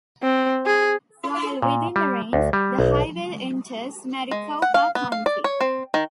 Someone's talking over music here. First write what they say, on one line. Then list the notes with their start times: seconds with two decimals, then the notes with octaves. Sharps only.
While within the range, the highway enters Maricopa County.
0.23 C4
0.66 G#4
1.62 A#2
1.96 G3
2.33 D2
2.53 G3
2.79 B1
4.31 G#3
4.62 F#5
4.74 F5
4.95 B3
5.12 F5
5.26 D5
5.44 C#5
5.60 C4
5.94 D#3